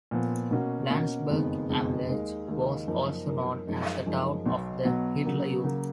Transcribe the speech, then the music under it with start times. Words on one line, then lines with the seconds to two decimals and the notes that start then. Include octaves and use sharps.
Landsberg am Lech was also known as the town of the Hitler Youth.
0.11 A#2 F3 B3
0.51 B2 A#3 C#4 F#4
0.91 B2 A#3 C#4 F#4
1.30 F#1 F2 D#3 G#3 B3
1.69 F#1 F2 D#3 G#3 B3
2.08 D#2 D#3 G#3 D#4 A#4
2.48 D#2 D#3 G#3 D#4 A#4
2.88 F#2 F3 A#3 D#4 A#4
3.27 F#2 F3 A#3 D#4 A#4
3.67 F#2 F3 G#3 D#4
4.06 F#2 F3 G#3 D#4
4.46 B1 B2 F#3 B3
4.85 B1 B2 F#3 B3
5.25 C#3 F#3 A#3
5.64 C#3 F#3 A#3